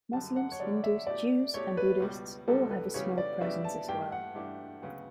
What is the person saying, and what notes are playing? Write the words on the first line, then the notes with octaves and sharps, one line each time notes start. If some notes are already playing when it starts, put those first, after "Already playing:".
Muslims, Hindus, Jews, and Buddhists all have a small presence as well.
F#2 D3 G3 A5
F#5
C#5
F#2 D3 G3 D5
E5
B2 A3 E4 G4 D5
B2 A3 E4 G4 C#5
B4
C#2 B2 G3
C#2 B2 G3 A4
B4
C#3 E3 G3 B3 F#4 C#5
D5
C#3 E3 G3 B3 F#4 E5
A5
G2 E3 A3 D4 G4 G5
F#5
G2 E3 A3 D4 G4
D2 C#3 F#3 B3 F#4